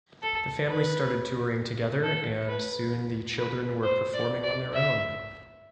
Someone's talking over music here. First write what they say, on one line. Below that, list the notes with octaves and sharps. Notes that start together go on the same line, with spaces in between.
The family started touring together, and soon the children were performing on their own.
A4
B4
A4
B4
B4
C5
D5
D5
E5